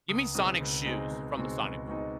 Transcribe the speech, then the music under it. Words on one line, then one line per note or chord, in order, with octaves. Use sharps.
Give me Sonic shoes from the Sonic movies.
C#2 D#6
B2 G#3 C4 D#4 D#6
C#2
B2 G#3 C4 D#4
C#2
B2 G#3 C4 D#4
C#2
B2 G#3 C4 D#4